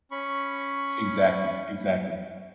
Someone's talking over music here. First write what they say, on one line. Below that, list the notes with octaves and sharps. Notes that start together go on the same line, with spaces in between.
Exactly, exactly.
C#4 B5 C#6